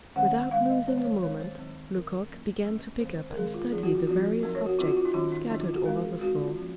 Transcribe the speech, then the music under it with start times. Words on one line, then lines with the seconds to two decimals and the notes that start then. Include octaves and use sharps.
Without losing a moment, Lecoq began to pick up and study the various objects scattered over the floor.
0.16 D#3 G#3 C#4 F#5
0.51 D#3 G#3 C#4 F5
0.69 D#5
0.87 D#3 G#3 C4 C#5
0.97 C5
1.05 C#5
1.23 D#3 G#3 C4 C#5
1.41 C5
1.58 D#3 F#3 C4 D#4
1.93 D#3 F#3 C4 D#4 A#4
2.29 F#3 A#3 C#4
2.65 F#3 A#3 C#4
3.00 D#3 G#3 C4 C5
3.19 C5
3.30 A#4
3.36 D#3 G#3 C4 G#4
3.54 F4
3.72 F3 C4 D#4 G#4
3.83 F#4
3.95 F4
4.07 F3 C4 D#4 F#4
4.43 F#3 C4 D#4 A#4
4.55 C#5
4.66 F#4
4.79 F#3 C4 D#4 F4
4.87 F#4
4.97 F4
5.05 D#4
5.14 D#3 F#3 C#4 F4
5.32 D#4
5.50 D#3 F#3 C#4 D#4
5.61 F4
5.74 F#4
5.85 G#3 C4 D#4 A#4
6.03 G#4
6.21 G#3 C4 D#4 F#4
6.38 F4
6.56 F3 A#3 C#4